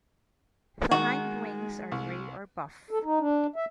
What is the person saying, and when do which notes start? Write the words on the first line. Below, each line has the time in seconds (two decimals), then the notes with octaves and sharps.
The hindwings are grey or buff.
0.91 D#3 G#3 F#4
1.92 C2
2.91 A4
3.03 D#4
3.20 D4
3.56 E5